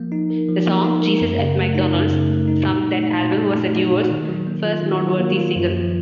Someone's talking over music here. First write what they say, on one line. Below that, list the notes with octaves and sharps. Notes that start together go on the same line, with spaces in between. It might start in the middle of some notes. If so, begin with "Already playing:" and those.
The song "Jesus at McDonald's" from that album was the duo's first noteworthy single.
Already playing: F3 A#3
D#4
A#4
F3
A#3
D#4
A#4
F#2
C#3
A3
D#4
F#2
C#3
A3
D#4
A#2
A3
D#4
A#2
A#2
A3
D#4
A#2
D#3
F#3
A#3
F4
D#3
F#3
A#3
F4
F#2
F3